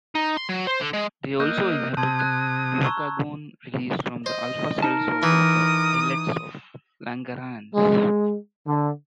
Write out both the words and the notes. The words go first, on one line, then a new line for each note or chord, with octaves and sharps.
They also inhibit glucagon release from the alpha cells of the islets of Langerhans.
D#4
C6
F#3
C5
D3
G#3
A#3 D#5 E6 F#6 G6
C3 A5 C6 D#6 G#6
F#6 G#6
A#5 C#6 E6
C5 D#5
D#4 A#4 A5
E3 D#6
G#3
D3